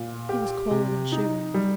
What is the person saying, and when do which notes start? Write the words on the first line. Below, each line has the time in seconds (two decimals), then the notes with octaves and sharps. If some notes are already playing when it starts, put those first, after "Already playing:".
He was cold and shivering.
Already playing: A#2
0.29 G4
0.71 C3
1.12 D#4
1.54 G3